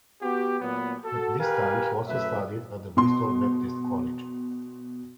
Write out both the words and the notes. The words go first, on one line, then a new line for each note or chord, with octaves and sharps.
At this time he also studied at the Bristol Baptist College.
B3 F#4 G4
A#2 F#3 B3
F#4 A4
G4 A#4 B4 F5 G#5
F#2 A3 B4 E5
B2 C6